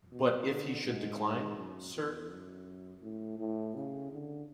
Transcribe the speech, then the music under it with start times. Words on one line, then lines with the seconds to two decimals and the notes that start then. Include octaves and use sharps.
But if he should decline, sir?
0.12 B2
0.48 D3
0.84 G#2
1.21 G#2
1.57 F#2
1.94 E2
2.30 F#2
3.02 A2
3.39 A2
3.75 C#3
4.12 D3